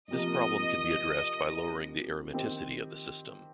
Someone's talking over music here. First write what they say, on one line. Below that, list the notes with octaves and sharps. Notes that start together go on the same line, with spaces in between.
This problem can be addressed by lowering the aromaticity of the system.
C3 F3 A#3 D#5
D#3 C4 G4